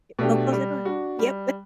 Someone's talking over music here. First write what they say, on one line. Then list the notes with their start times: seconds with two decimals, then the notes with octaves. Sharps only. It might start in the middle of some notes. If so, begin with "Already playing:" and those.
Ye "Go close that door." Yep.
0.19 B2 A3 D4 G4
0.53 G3
0.85 D4 F#4
1.19 G3